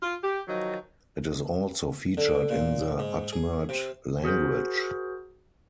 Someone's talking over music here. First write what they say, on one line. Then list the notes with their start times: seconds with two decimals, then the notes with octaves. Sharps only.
It is also featured in the Udmurt language.
0.02 F4
0.23 G4
0.47 D#3 F3 F#3 D#4
2.17 D3
2.50 A#2
2.99 G#2
3.33 G#4
3.69 C3
4.23 F#4 G#4 A#4 C5